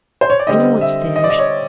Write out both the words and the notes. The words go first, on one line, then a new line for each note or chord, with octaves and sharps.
I know what's there.
C5
C#5
D5
D3 G3 C4 D#5
E5
D#5
D5
D#5
C#5